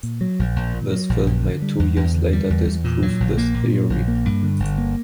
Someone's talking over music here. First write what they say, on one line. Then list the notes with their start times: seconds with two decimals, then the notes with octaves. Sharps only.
This film made two years later disproved this theory.
0.03 A#2
0.21 F#3
0.39 A#1
0.56 A#1
0.74 A#2
0.91 F#3
1.09 A#1
1.27 A#1
1.43 D3
1.62 G3
1.79 E2
1.96 E2
2.14 D3
2.32 G3
2.50 E2
2.67 E2
2.84 A#2
3.02 F#3
3.20 A#1
3.37 A#3
3.54 A#2
3.73 F#3
3.90 A#1
4.08 A#3
4.25 G2
4.43 D3
4.60 G1
4.78 A#3